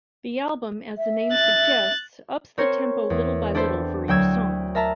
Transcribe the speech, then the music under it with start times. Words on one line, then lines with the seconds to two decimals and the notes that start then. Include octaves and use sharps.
The album, as the name suggests, ups the tempo little-by-little for each song.
0.98 E5
1.32 F#6 A6
2.58 C4 A#4 C5 C#5
3.10 E2
3.55 D4 E4 G4 A4 C5
4.08 D2 F#3 G5 E6 G#6
4.75 A#4 E5 A5 A#5